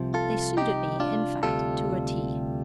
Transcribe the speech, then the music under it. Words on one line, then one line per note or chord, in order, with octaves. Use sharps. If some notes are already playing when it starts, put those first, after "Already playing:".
They suited me, in fact, to a T.
Already playing: C2 C3 F3
F4 A4
D#4 G4
D4 F4
D2 C3 G3 F4 A4